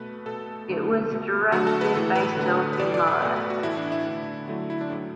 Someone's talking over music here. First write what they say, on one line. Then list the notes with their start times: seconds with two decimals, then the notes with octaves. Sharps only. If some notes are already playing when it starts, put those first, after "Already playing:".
It was directed by Sophie Muller.
Already playing: B2 A3 B4
0.26 B2 A3 A4
0.69 D3 F#3 A3
1.10 B2 A3
1.52 D3 F#3 A3 F#4
1.67 A4
1.81 B4
1.94 A2 E3 A3 A4
2.15 B4
2.37 D3 A3
2.73 B4
2.79 A2 E3 A3 D5
2.94 D5
3.07 B4
3.22 B2 A3 D5
3.36 B4
3.50 F#4
3.63 A2 E3 A3 E4
3.77 D4
3.92 E4
4.06 D3 A3
4.48 D3 F#3 A3 E4
4.70 E4
4.81 D4
4.90 A2 F#3 A3